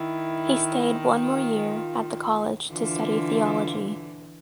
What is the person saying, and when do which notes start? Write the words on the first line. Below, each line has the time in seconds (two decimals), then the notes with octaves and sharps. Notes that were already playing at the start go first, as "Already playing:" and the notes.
He stayed one more year at the college to study theology.
Already playing: D#3 E4
1.18 F4
2.70 D3 E3 F4